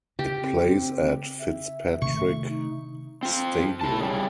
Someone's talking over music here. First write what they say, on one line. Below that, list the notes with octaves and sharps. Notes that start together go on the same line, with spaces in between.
It plays at Fitzpatrick Stadium.
C#3 G4
C4
E5
C3 D#3 A3 C#6
D#4
C4 F4
E4 A5
C#3 G3